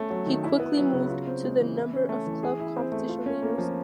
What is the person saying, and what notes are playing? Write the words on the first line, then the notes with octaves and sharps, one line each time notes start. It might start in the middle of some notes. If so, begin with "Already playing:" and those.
He quickly moved to the number of club competition leaders.
Already playing: A3 C#4
F#3
D#3
E4
B3
F#3
C#3
F4
C4
G#3
E3
E4
C#4
A3
E3
G#4
E4
C4
A3
F4
C#4
A#3
F3